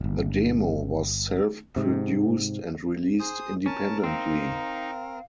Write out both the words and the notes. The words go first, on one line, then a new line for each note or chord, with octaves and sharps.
The demo was self-produced and released independently.
D1 G1
G#2 C3
G#4 C5 D#6
C#4 A#4 A5
C4 D#4 F5